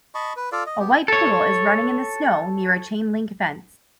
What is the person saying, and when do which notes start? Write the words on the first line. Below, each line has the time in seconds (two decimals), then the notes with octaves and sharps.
A white poodle is running in the snow, near a chain link fence.
0.15 D#5 A5 B5 C#6
0.37 B4
0.52 F4 A4 D5 F5
0.66 D#5
0.79 B3 G4
1.08 A4 C#5